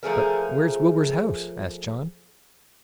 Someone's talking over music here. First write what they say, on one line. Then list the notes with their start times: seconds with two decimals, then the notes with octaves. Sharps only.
"But where's Wilbur's house?" asked John.
0.03 F3 A3 G#4 A#4